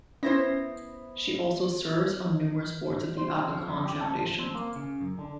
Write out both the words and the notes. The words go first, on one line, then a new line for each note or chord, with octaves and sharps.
She also serves on numerous boards of the Aga Khan Foundation.
B3 C#4 E4 C5 A#6
C5
C4
F3
F2
G4
A4
F3
C4
A#3
C#3
F#2
D3